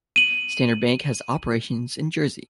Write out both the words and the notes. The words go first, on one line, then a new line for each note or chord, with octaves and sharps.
Standard Bank has operations in Jersey.
D#7 F#7